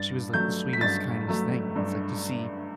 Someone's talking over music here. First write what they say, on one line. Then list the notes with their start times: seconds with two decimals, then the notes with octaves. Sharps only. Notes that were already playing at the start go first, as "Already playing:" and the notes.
she was, like, "the sweetest, kindest thing," and it's like, to see,
Already playing: G2 A6
0.34 F#3 A3 G6
0.73 B6
0.81 G2 A6
1.28 F#3 A3
1.76 G2